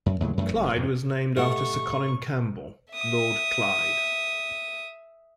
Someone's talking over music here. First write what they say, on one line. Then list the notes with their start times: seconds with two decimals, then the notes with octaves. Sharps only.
Clyde was named after Sir Colin Campbell, Lord Clyde.
0.06 F#2
0.20 D#2 A2 C#3 F#3
0.37 F#2 E3 A3
0.55 F#1
0.71 F2 G#2
1.37 A2 A3 G4 D#5 F#5 C#6
2.92 E5 D#6